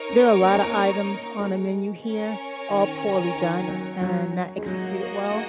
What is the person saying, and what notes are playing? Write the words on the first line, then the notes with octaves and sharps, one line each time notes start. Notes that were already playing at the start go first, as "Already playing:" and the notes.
there are a lot of items on a menu here, all poorly done, and not executed well.
Already playing: D#4 A#4 C#5
C#4
A#3
C#4
A#3
G#3
C#4 A#4 C#5 G#5
D#3
C#3
D#3
D#3
F#3
F#3
G#3
F#3 A#3 F#4 D#5
G#3